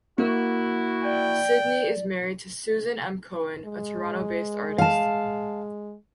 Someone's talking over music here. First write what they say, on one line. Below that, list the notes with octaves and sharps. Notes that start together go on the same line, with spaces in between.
Sidney is married to Susan M. Cohen, a Toronto-based artist.
A#3 E4 F#4
D5 G5
G#3
F5 A5